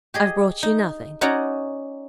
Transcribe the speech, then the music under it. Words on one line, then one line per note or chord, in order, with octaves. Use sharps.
'I've brought you nothing.
G4 G#4 D#5
D#4
C#4 D#4 F#4 D5 F#5 A#5